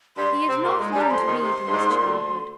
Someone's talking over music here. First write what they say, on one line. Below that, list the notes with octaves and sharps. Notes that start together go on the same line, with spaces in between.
He had not learned to read in his childhood.
G2 G3 C6
C3 C4
A#2 A#3
G#2 G#3
G2 G3 G#5
A#5
F2 F3 C6
D#2 D#3
C3
G2
G#2
A#2
D2 D3